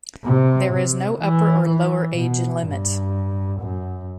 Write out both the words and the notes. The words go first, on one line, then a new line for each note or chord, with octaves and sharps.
There is no upper or lower age limit.
C3
C3
E3
E3
B2
G2
F#2